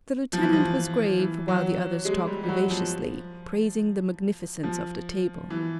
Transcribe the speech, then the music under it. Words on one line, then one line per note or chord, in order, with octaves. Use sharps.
The lieutenant was grave while the others talked vivaciously, praising the magnificence of the table.
F3
E3
F3
E3
F#3
G#3
G3
G3
F#3
F3
F3
E3